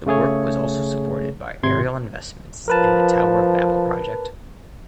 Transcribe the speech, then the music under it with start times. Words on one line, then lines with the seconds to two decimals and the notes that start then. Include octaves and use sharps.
The work was also supported by Ariel Investments in the "Tower of Babel" project.
0.06 C#3 A3 G#4 C#5
1.63 G#1 C3 C6 G#6
2.68 F3 A#4 B4 A5